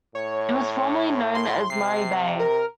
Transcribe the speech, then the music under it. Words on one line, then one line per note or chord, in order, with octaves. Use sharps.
It was formerly known as Murray Bay.
A2 C#5
C6
C3 C7
A#4